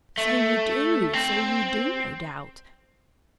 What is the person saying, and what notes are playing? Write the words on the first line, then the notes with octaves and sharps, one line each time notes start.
'So you do, so you do, no doubt.
A3
C4